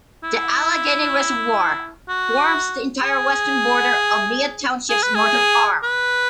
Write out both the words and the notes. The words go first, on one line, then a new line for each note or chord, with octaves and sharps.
The Allegheny Reservoir forms the entire western border of Mead Township's northern arm.
E4
F#4
G#4
G#4
B4
G#4
B4